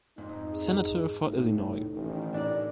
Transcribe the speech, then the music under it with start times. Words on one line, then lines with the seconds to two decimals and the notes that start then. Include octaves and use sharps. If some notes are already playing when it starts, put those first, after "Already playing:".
Senator for Illinois.
0.18 F2 G#2 D#4
0.53 G#4
1.23 F1 A2 D#4
1.94 A1 D#3
2.34 A2 D4 D#4 A#4 D5